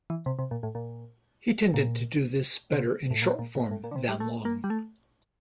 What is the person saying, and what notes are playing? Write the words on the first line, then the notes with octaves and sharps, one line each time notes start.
He tended to do this better in short form than long.
E3
C3
C3
A#2
A2
A#2
A#2
C3
A2
A#2
A#2
A#2
A2
A#2
D3
C3
G3
A3
A#3
G3
A3